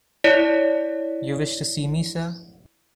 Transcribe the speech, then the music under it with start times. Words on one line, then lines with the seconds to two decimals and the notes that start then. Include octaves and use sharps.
You wished to see me, sir?
0.24 E4 C#5 D5 B6